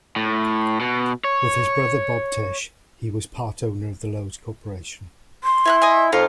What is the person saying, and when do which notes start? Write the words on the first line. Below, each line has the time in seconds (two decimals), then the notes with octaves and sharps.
With his brother Bob Tisch, he was part owner of the Loews Corporation.
0.16 A2
0.80 B2
1.24 C#5
5.44 C6
5.65 E4 G#5 A#5 F#6
5.82 D#5 E5 G#5
6.12 F2 D#4 F4 F5